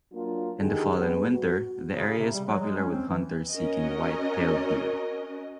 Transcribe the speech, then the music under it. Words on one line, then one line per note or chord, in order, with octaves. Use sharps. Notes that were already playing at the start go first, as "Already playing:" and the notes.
In the fall and winter, the area is popular with hunters seeking white-tailed deer.
F#3 A#3 D4 F4
D3 D#3 D#4 G4 G#4
G3 G#3 B3
F#4
C#3
C3
G3
F#3
G#3
C#4
C4
E3
C#4 F#4 A#4 D#5